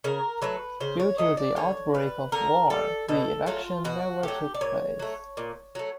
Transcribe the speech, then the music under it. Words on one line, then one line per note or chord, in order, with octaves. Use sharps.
Due to the outbreak of war, the election never took place.
C#3 A#4
F#3 A3 B4
C#3 C5
C#5
F#3 A3 D#5
D5
D3 C#5
G3 B4
D3 A#4
G3 A4
B2 A4
F#3 A3 F4
B2 F#4
F#3 A3 G4
D5
A#2 C#5
F#3 A3
A#2
F#3 A3